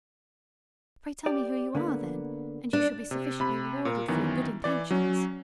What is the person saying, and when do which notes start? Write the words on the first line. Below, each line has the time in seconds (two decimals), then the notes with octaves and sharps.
"Pray tell me who you are, then, and you shall be sufficiently rewarded for your good intentions."
1.26 G4 D5
1.75 D3 A#3 B3
2.73 D4
3.11 C3
3.40 C3 B5
3.85 A#2 A#4
4.08 F#2 D#3 E3 B3
4.64 E3 D5
4.91 F#3 C#4